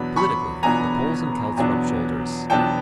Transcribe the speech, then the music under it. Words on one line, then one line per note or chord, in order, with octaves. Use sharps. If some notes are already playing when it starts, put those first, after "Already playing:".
Politically the Poles and Celts rub shoulders.
Already playing: E2 B2 F#3 B3 D4 B5
B5 C#6
E2 B2 F#3 B3 D4 G#5 A#5
E2 B2 F#3 B3 D4
E2 B2 F#3 B3 D4 G5 A5